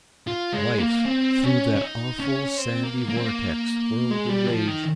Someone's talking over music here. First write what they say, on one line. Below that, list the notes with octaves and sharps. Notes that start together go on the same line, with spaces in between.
Life, through that awful sandy vortex, whirled and raged.
F4
G#3
A#3
C4
C#4
C#4
D#4
C#4
C4
A#3
A#3
C4
A#3
G#3
G3
F3
D#3